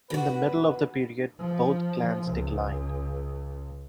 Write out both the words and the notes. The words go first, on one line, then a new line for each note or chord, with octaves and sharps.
In the middle of the period, both clans declined.
B2 F#4 B4
F3
C#2